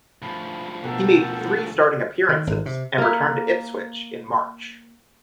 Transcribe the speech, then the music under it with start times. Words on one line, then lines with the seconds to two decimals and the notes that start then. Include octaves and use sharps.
He made three starting appearances and returned to Ipswich in March.
0.22 D2 F3 B5
0.84 B2 A4 A#4 F#5 G5
2.29 D#3
2.47 G#1
2.66 C3
2.98 A#3 E4